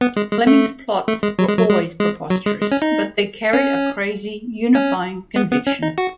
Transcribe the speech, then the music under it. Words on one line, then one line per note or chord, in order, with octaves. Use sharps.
Fleming's plots were always preposterous, but they carried a crazy, unifying conviction.
B3
G#3
G#3
A3
A3
G#3
F#3
G#3
F#3
G#3
G#3
F#3
G#3
G#3
C#4
D#4
C#4
C#4
B3
B3
C#4
D#4
F#4